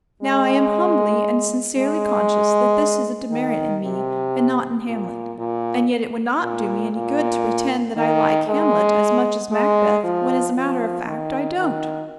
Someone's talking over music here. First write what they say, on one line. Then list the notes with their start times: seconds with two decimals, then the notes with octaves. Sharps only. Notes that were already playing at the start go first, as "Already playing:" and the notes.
Now I am humbly and sincerely conscious that this is a demerit in me and not in Hamlet; and yet it would not do me any good to pretend that I like Hamlet as much as Macbeth when, as a matter of fact, I don't.
0.22 G#3
1.77 G#3
3.31 D#3
3.83 C3
4.87 A#2
5.39 A#2
6.42 A#2
6.94 A#2
7.97 D#3
8.49 G#3
9.51 G#3
10.04 F3
10.55 F3
11.07 D#3
11.58 D#3